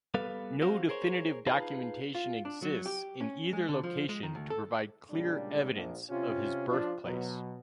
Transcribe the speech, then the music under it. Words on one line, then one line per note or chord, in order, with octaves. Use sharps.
No definitive documentation exists in either location to provide clear evidence of his birthplace.
G3 B3 A4 B4 F5
F#3 C4 F#4 C5 F5
G#4 A#4 C5 C#5
D#4 F4 G#4 B4 F5 A5
F4
D4
F#3
G4
C#4
G#3
D3
F3
G#3
D#3
D2
A4
A#2 C#3 G3 G#3 D4
A#1
C3 C#4 F4
F3 D4 F4
B2 F#3